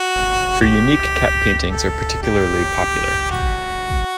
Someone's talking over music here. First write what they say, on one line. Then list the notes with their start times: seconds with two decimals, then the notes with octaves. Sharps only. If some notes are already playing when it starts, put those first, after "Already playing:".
His unique cat paintings are particularly popular.
Already playing: F#4
0.61 G4
1.69 A4
2.23 G4
3.31 F#4